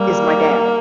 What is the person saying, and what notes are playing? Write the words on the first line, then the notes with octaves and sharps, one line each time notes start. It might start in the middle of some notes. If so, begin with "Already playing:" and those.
is my dad.
Already playing: G3 A#3